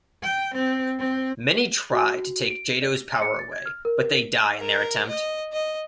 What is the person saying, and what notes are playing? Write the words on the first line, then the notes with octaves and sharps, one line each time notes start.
Many try to take Jado's power away, but they die in their attempt.
G5
C4
C4
F#4
D7
D5
C#7
A6
G#6
F6
A#4
A#4
D#5
D#5